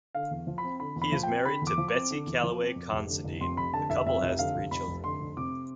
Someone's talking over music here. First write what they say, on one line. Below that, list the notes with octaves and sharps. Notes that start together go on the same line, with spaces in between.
He is married to Betsy Callaway Considine; the couple has three children.
D3 F5
E2
F3
B5
C4
D3 B5
E2
B5
F3
G5
C4
D3 B5
E2
D6
F3
D6
C4
D3
E2
F3
C4
F2
F1
D3
F1
F2 C6
F1 B5
D3 A5
F1 E5
F2 E5
F1
D3 F5
F1
F2 B5
F1
D3 C6
F1
C3 D6